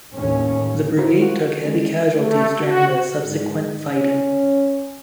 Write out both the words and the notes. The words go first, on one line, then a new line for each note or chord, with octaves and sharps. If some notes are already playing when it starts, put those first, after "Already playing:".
The brigade took heavy casualties during the subsequent fighting.
D#2 A2 C#4
E4 F#4 A#4 C5
F4 F#4
G#3 C#4
A3
F#4
G#2
C#4